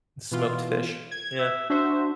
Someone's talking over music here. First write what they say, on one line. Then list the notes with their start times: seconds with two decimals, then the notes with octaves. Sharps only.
Smoked fish. Yeah.
0.31 B2 E3 F4
1.11 G#6
1.39 E5
1.70 D4 F#4 C5 E5